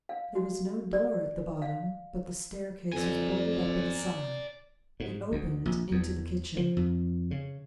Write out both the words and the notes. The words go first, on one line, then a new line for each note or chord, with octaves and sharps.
There was no door at the bottom, but the staircase was boarded up at the side; it opened into the kitchen.
F5
F#4
D5
F5
F2 D5 G#5
G#2
D2
A#1
E2
F3
F2
C#3